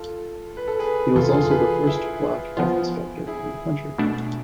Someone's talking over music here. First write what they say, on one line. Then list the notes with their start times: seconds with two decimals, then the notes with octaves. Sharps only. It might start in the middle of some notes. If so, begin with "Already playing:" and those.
He was also the first black health inspector in the country.
Already playing: F4 A4
0.57 B4
0.68 A4
0.79 G#4 B4
1.16 F2 C3 E3 F4 A4
1.29 G#4
1.33 F4 A4
1.51 G#4 B4
1.87 E4 G#4
2.57 F3 B3 F4
3.27 E4 G#4
3.98 B2 A3 D4